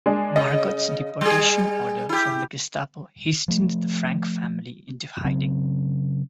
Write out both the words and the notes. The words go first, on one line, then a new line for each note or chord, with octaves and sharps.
Margot's deportation order from the Gestapo hastened the Frank family into hiding.
G#3 D4
C#3 D#5
G3 G#4
E4 G4
F3 A3
C#3 F#3 C4